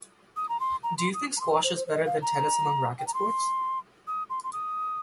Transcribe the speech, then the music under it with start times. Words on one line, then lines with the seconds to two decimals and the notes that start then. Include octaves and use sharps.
Do you think Squash is better than Tennis among Racket Sports?
0.36 D#6
0.49 A#5
0.60 C6
0.83 A#5
0.98 C6
1.14 D#6
1.37 A#5
1.40 C6
1.52 A#5
1.64 C5
1.76 C5
1.87 C5
1.91 D#5
2.06 F5
2.22 A#5
2.99 G5
3.07 A#5
3.14 C6
4.07 D#6
4.30 C6
4.44 C6
4.53 D#6